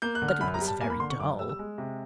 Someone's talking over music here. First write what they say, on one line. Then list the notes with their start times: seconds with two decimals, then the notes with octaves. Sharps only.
But it was very dull.
0.02 A#3 G6
0.15 F#6
0.22 D3
0.28 F6
0.41 F#2 B5
0.54 A#5
0.61 G3
0.67 A5
0.81 A#3 G#5
0.90 B5
1.00 D3 C6
1.10 C#6
1.20 F#2 D6
1.39 G3 E6
1.49 E6
1.59 G#3
1.78 C3